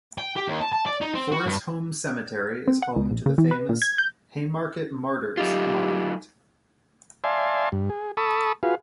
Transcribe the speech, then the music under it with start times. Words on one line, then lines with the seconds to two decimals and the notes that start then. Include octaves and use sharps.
Forest Home Cemetery is home to the famous "Haymarket Martyrs' Monument".
0.18 G5
0.37 G4
0.48 D#2
0.61 A5
0.73 A5
0.86 D5
1.01 D#4
1.15 C4
1.32 F#4
1.46 G2
2.68 C4
2.82 F#5
2.96 C#2
3.11 A#1
3.26 C#3
3.38 E3
3.51 B4
3.69 A#2
3.82 G#6
3.98 G6
5.37 F#3 D#4 F4 G4
7.24 D5 E5 F5 G#5 A5 C6
7.72 G2
7.90 G#4
8.17 A4 A5 B5 C#6 D#6 E6
8.63 F4 F#4 G#4 B4 F5